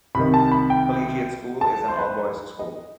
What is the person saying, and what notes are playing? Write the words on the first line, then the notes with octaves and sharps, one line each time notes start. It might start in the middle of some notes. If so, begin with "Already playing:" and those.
Collegiate School is an all-boys school.
C2 C3 D#3 B5
A5
B5
G5
A5
C5
B4
B4
D#5